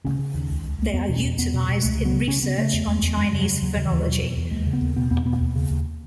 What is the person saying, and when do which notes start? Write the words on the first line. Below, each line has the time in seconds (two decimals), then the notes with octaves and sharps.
They are utilized in research on Chinese phonology.
0.04 C#3 C#4
0.19 C#3
0.34 D#2
0.49 C#2
0.64 C#2
0.78 C#2
0.93 E2 B3
1.09 B2
1.16 C#4
1.24 E2
1.38 E2 B3
1.54 B2
1.68 B2
1.83 C#2 A3
1.98 C#3
2.05 B3
2.13 C#3
2.28 C#3 C#4
2.43 C#3 B3
2.58 C#3 A3
2.73 E2
2.87 E2
3.03 E2
3.17 F#2 G#3
3.32 C#3
3.39 F#3
3.47 C#3
3.62 D#2 F#3
3.77 C#3
3.84 E3
3.92 D#2
4.07 B2 F#3
4.21 E2
4.37 E2
4.51 D#2 G#3
4.66 C#3
4.73 B3
4.81 D#2
4.96 B2 B3
5.11 E2 B3
5.25 B2 B3
5.41 D#2
5.56 C#3
5.71 D#2